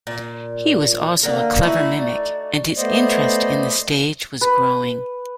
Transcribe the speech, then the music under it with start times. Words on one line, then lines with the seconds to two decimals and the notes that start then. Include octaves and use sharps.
He was also a clever mimic, and his interest in the stage was growing.
0.07 A#2
1.23 D3 A#3 A#4
1.63 A3 D#4 E4 F#4
1.95 D5
2.77 A3 B3 C5 D5 D#5
4.41 B4